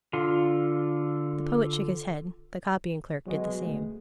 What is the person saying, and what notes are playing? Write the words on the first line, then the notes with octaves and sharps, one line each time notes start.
The poet shook his head, the copying-clerk did the same.
D3 F4
B2 F#3 G#3 F#4 D#5
C#2 A3